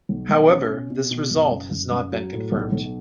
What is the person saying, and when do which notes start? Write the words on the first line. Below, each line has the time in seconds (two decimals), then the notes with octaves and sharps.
However, this result has not been not confirmed.
0.09 B1
0.29 B1
0.49 C#4
0.70 B2
0.90 B2
1.11 B2
1.31 F#1
1.51 F#2
1.71 F#1
1.91 F#2
2.12 F#3
2.32 A2
2.52 B1
2.72 B1